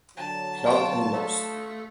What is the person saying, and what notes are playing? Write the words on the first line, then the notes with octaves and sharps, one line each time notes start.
Cloud and lost.
D3 F#3 A5
F5 G5 C6 C#6
A3